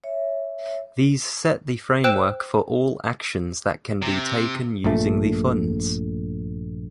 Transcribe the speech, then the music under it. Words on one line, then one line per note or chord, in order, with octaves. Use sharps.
These set the framework for all actions that can be taken using the funds.
C#5 E5
C5 G5 E6 F#6 E7
C3
A#1 G2 A#2 A3